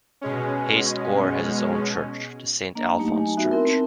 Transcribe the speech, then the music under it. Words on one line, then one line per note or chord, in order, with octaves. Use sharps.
Heist-Goor has its own church, the Saint Alfons church.
B2 G#3 C#4
A#3 D4 D#5
F#3 A3 D#4 G4
G#5
B3 D#4 F#4 E5 A5
C4 E4 A#4